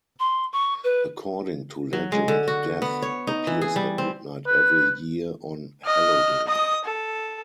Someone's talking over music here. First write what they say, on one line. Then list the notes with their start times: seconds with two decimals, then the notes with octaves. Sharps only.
According to legend, "Death" appears at midnight every year on Halloween.
0.19 C6
0.53 C#6
0.84 B4
1.93 F#3
2.12 G#3
2.28 D3
2.48 F#4
2.82 B3
3.02 C#5
3.27 D#4
3.47 E3
3.61 G#4
3.76 G3
3.98 C4
4.47 B4
5.86 D#5 F6
6.47 D#5 D#6
6.84 A4